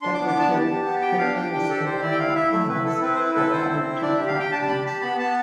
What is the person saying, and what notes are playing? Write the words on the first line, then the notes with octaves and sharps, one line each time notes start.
Decorative vitreous enamel panels were added to the platforms.
D4 C6
D6
B3
D6
D4 A5
G4
G4
B3
G4 G5
D4 F5
G4 G5
D4 G5
G4 A4
G4 C5
E4 D5
G5
E4 F5
E4 E5
A3 E5
E4 B4
E4 A4
C4 B4
C5
E4 B4
A4 B4
E4 C5
C4
E4
E5
D4 D5
E5
G4
F5
G4 G5
D4 A5
A5
G4 B5
G4 A5
B3 B5
B3 A5